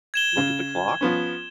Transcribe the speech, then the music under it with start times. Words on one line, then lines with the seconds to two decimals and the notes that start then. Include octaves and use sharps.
Look at the clock?
0.14 G#6 E7 G7
0.37 C#3
1.01 F3 B3 C#4